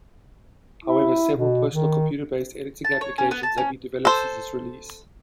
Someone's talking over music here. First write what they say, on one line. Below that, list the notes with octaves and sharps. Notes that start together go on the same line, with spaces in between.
However, several personal computer-based editing applications have been developed since its release.
E4
B2
D#3
A5
C#5
C#4
B3
A5
C#4
A4 C5